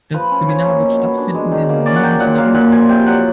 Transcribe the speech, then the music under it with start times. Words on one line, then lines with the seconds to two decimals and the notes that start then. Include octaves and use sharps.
Das Seminar wird stattfinden in Mülheim an der Ruhr.
0.14 F3 B4
0.32 C#4
0.49 F3 C#5
0.66 A#3
0.83 B2
1.00 B3
1.18 D4
1.35 G#3
1.52 D#3
1.69 A#3
1.86 C#4 D5
1.96 F#5
2.03 F#3 G5
2.20 A#2 F#5
2.38 A#3 F5
2.54 A#2 F#5
2.72 F3 G#5
2.89 C3 G5
3.06 F#3 F#5